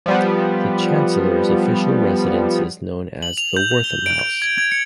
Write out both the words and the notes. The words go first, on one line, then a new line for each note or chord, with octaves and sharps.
The Chancellor's official residence is known as the Wortham House.
F3 G3 B3
F#7
F7
G6
G6
G7
D7
G6
G#6
G#6
C#7